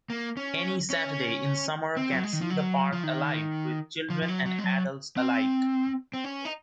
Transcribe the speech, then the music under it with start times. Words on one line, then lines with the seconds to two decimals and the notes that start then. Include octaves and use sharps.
Any Saturday in summer can see the park alive with children and adults alike.
0.10 A#3
0.37 C#4
0.90 C#4
1.97 C4
2.12 F#3
2.23 G#3
2.33 D#3
2.41 F3
2.50 F#3
2.93 F3
3.03 D#3
4.10 F3
4.22 F3
4.28 F#3
4.46 F#3
4.58 G#3
4.64 F#3
5.17 C4
6.14 C4
6.24 C#4
6.45 D#4